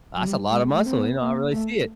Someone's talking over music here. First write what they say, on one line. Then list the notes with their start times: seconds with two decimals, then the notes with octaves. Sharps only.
that's a lotta muscle. You know, I really see it.”
0.16 F#3
0.27 G3
0.51 G#3
0.74 A3
0.86 C4
0.97 B3
1.21 A#3
1.52 A3